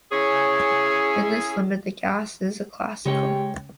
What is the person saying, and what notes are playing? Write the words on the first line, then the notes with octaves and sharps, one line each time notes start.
In this limit, the gas is classical.
C#4 E4 G#4 C#5
C#3 G#3 G4 C#5 G5